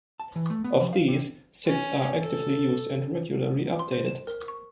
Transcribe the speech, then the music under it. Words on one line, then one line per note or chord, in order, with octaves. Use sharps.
Of these, six are actively used and regularly updated.
A5
E3
A3
B3
F3
F5
C3
C#4
A4
C6
C5
E7
A#4
C#6